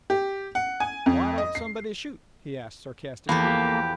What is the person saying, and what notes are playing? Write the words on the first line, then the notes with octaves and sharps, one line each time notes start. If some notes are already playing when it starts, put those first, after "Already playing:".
"Why don't somebody shoot?" he asked sarcastically.
G4
F#5
G#5
F2
D#5
C7
E2 F3 A#3 G4 A4 B5